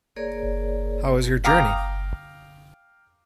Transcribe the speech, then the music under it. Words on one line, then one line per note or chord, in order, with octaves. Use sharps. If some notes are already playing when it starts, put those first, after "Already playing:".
How was your journey?
A#3 G#4 A#4 C#5 D5
F5 G5 A#5 D6 D#6